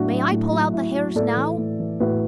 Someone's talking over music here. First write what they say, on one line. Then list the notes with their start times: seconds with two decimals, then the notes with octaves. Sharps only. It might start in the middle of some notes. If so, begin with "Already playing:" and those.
"May I pull out the hairs now?"
Already playing: A2 F#3 D4 E4 F#4
0.10 F#3
0.31 A2
0.52 F#3
0.73 A2 E4
0.95 F#3
1.15 A2 A4 D5
1.37 E3
1.58 A2
1.80 E3
2.00 A2 F#4 B4